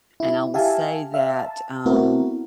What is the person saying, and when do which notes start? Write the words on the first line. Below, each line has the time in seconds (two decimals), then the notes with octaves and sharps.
And I will say that, um
0.20 E4
0.54 G4 E5 F5 G#5 A5
1.14 E5 F5
1.39 A5
1.86 A3 B3 C4 E4 F#4 A#4